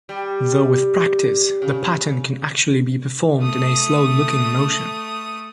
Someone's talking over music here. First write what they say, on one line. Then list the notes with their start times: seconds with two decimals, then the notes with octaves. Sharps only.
Though with practice, the pattern can actually be performed in a slow-looking motion.
0.09 G3
1.62 C#3
3.39 A3 D#6